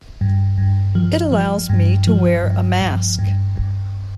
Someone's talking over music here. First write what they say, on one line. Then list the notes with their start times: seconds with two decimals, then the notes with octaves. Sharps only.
It allows me to wear a mask.
0.21 G2
0.58 G2
0.95 F3
1.32 F3
1.70 G2
2.07 F3
2.44 G2
2.81 G2
3.19 G2
3.56 G2